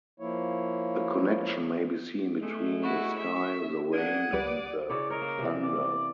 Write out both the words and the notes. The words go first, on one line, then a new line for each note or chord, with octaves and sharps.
A connection may be seen between the sky, the rain, and the thunder.
F3 A#3 E4 C#5
G#3 A3
E4 F#4 C#6
E5
A#3 D4 F#5 D#6 G#6
C#2 G3 B4 D5
C#3 E4 C#5 D5
A#4 C#5 D#5
A#3
C3 E3
D5